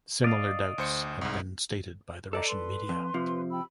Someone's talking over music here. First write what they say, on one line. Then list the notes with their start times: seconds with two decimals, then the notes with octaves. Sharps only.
Similar doubts had been stated by the Russian media.
0.24 D5 D#5 F5
0.78 D2 C5 C#7
1.21 C2 G#2
2.33 A4 D5 D#5 A#5
2.48 B4 C6
2.89 F2
3.14 C3 F3
3.50 G5 B5 E6